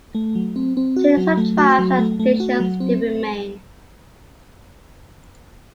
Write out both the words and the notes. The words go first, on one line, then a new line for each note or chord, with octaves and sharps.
Today some tracks and stations still remain.
A3
F#3
C4
C4
F#4
F#3
A3
F#4
F#3
A3
A3
F#4
F#3
C4